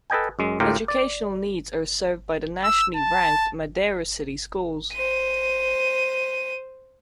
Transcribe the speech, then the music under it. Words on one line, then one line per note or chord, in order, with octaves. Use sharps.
Educational needs are served by the nationally ranked Madeira City Schools.
A4 B4 D#5 G5 G#5
F#2 G#3
D2 A2 F4 G4 A#4
D5
E6
A5
C5 D#7